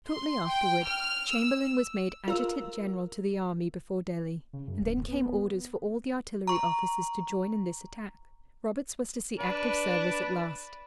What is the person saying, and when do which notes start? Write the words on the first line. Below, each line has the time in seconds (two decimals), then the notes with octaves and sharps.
Shortly afterward, Chamberlain was made Adjutant General to the Army before Delhi, and then came orders for all the artillery officers to join in this attack. Roberts was to see active service at last.
0.10 C6
0.48 G5
0.86 F6
1.32 E6
2.28 F4 A#4 E6
4.53 C#3
4.68 F#2
4.81 D1
5.08 B3
5.22 B3
6.48 A#5 C#6
9.39 D4 B4